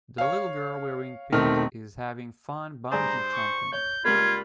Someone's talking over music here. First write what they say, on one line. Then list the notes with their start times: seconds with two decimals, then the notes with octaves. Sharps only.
The little girl wearing pink is having fun bungee jumping.
0.18 C#5 F5
1.32 E1 D#3 A3 C4 D#4 F6
2.92 G2 G#4 C5 D5 A#5
3.34 C#6
3.73 C#5 G6
4.05 C#2 G3 A#3 F4 B5 G#6